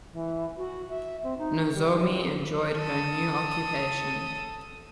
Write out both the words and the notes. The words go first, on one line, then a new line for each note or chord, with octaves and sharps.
Nozomi enjoyed her new occupation.
E3
F#4
E5
C4
D#4
G3
A4 D#6